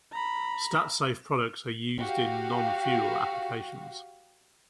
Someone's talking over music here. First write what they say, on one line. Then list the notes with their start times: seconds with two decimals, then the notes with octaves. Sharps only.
Statsafe products are used in non-fuel applications.
0.12 A#5 B5
1.99 F#4 G4 F5